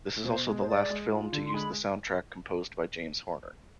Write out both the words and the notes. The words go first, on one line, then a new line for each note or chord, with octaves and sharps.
This is also the last film to use the soundtrack composed by James Horner.
B2 C5
G#3
C5
G#3 D5
G#3
F4
D3
C6
G#3 B5